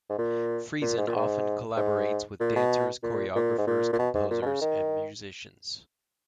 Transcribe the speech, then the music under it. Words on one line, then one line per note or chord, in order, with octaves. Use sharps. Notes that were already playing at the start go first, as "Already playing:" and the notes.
Friesen often collaborates with dancers, choreographers, composers and musicians.
G#2
A#2
A#2
G#2
A#2
G#2
G#2
A#2
B2
A#2
A#2
G#2
A#2
A#2
B2
G#2
A#2
B2
C#3
D#3